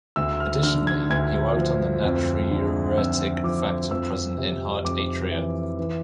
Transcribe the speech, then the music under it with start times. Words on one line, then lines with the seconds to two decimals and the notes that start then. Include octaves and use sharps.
Additionally, he worked on the natriuretic factor present in heart atria.
0.16 D2 E6
0.40 F6
0.63 D3 F6
0.87 G#6
1.10 D2 G#6
1.56 F3
2.04 F2
2.50 D3
2.97 F2 E6
3.44 F3 D6
3.91 F2 E6
4.38 C3
4.84 F2 D6
5.31 E3
5.79 E3